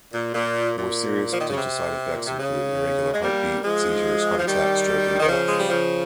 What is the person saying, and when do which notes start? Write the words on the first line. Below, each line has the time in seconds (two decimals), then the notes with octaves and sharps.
More serious potential side effects include irregular heartbeat, seizures, heart attack, stroke, and death.
0.13 A#2
0.33 A#2
0.75 A#2
1.33 F3
1.41 D#3
1.50 C#3
1.57 C3
2.12 A#2
2.26 C3
2.39 C#3
3.14 G#3
3.22 G3 A#3
3.64 F3 G#3
4.39 F3
4.46 D#3 G3
5.20 D#3
5.28 C#3 F3
5.47 G#3
5.58 G3
5.69 C#3 F3